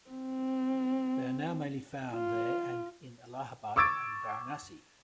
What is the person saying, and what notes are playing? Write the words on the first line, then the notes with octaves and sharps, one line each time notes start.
They are now mainly found there and in Allahabad and Varanasi.
C4
F4
C#6 D6 E6 G#6 A6 D7